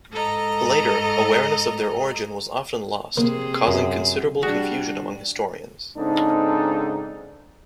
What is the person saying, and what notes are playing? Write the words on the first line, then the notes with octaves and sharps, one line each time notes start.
Later, awareness of their origin was often lost, causing considerable confusion among historians.
G#2 A4 D#5 A#5
C3 A#3 G#4
F#2
G3 D4 F#4 G#4
G#2 C#3 C4 D4 D#4 A4